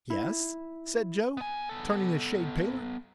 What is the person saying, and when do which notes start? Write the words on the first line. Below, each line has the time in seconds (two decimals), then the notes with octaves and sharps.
"Yes?" said Joe, turning a shade paler.
0.10 E4
1.37 B3 G#5
1.69 B3 A4